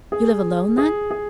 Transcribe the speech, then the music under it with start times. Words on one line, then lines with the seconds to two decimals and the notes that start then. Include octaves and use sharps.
"You live alone, then?"
0.12 G#4
0.78 G#4
1.11 G#4